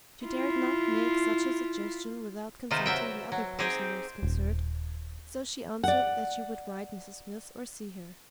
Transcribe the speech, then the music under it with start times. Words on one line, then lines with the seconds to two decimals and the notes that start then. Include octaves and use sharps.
She dared not make such a suggestion without consulting the other person most concerned, so she answered that she would write Mrs. Smith or see her.
0.25 E4 F4
2.71 C3 D#3 D#4 F4 B4 C5
2.86 F#3 E5 G5
3.32 F#3
3.59 C4 D#4 G4 G#4
4.23 D#1
5.84 D5 F#5